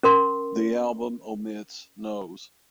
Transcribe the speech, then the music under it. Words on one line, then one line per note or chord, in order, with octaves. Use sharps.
The album omits Nos.
C#4 A#4 C6